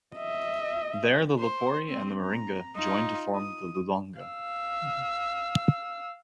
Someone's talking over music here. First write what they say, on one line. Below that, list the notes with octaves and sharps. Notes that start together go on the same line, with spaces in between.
There the Lopori and the Maringa join to form the Lulonga.
D#5 E5
C5
C4
A#5
D#4 F4
D#6
F5 E6